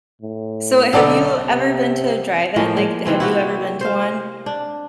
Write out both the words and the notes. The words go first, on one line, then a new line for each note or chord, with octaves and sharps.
So have you ever been to a drive-in, like, have you ever been to one?
A2
B1 D3 A4 D5
C3
A2 F3 A#3
G#3
C3 D#3 E3 C4
E4 F#4 G4
C5 F5
D4